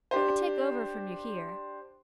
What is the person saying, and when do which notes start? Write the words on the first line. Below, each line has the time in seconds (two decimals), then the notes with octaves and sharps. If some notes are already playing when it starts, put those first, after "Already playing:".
'I take over from you here.
0.11 D4 G4 C5